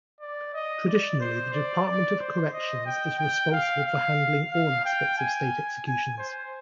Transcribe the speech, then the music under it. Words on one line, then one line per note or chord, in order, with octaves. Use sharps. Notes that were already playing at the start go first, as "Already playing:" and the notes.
Traditionally the Department of Corrections is responsible for handling all aspects of State executions.
D5
D#5
D5
C5
D5
D5
C5
D#5
G5
G5
F5
F5
F5
G5
G#5
G#5
C5